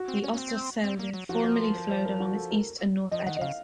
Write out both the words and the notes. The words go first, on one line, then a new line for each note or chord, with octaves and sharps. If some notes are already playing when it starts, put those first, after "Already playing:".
The Oosterschelde formerly flowed along its east and north edges.
Already playing: F#4
C4
C#4
C#4
C4
C4
A#3
F#3
F3 F#4
A#4
A#4
C5
A#4
F#4
A4
A#4
F3 D#5
D#3 F#5
D#5
C#3 F5